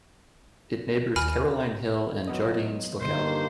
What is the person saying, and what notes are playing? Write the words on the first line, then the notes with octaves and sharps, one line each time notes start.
It neighbours Caroline Hill and Jardine's Lookout.
D#2 G#5 B5 F6
F#3 B3 D#5
G2 A#2 D3 D#3 A#3 C5